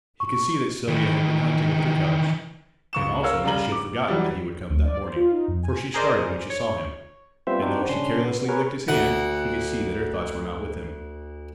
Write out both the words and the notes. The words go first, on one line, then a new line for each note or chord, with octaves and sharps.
He could see that Silvia had been hunting with her cubs, and also that she had forgotten that he would come that morning, for she started when she saw him, and though she carelessly licked his hand, he could see that her thoughts were not with him.
C#6
D#3 E3
C#2 C#6 E7
A#4 C#5 F5 E6
C#3 G3 F5 A#5 F#7
D6
E3 F#3 G3
D2
D5
C5
F4
D#4
F2
G#5
G#4 A#4 C5 D5 D#5
C#5
G3 B3 C4 F4 C5 E5
C4 D4 D#4 F#4 G4 C5
C#3 C#4 D4 C6
B3
G#4 A#4 B4 C#5
D2 F#5